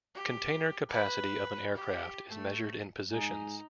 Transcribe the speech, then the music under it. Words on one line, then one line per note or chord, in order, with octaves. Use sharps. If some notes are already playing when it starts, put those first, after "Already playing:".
Container capacity of an aircraft is measured in "positions".
G4
B4
G4
A3
G#2 D#4 G#5